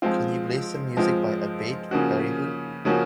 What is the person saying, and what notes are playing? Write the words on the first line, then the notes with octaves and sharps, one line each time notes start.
Can you play some music by Abatte Barihun?
F3 G#3 C4 F4
F3 G#3 C4 F4
C#3 F3 A#3 C#4 F#4
C#3 F3 A#3 C#4 F#4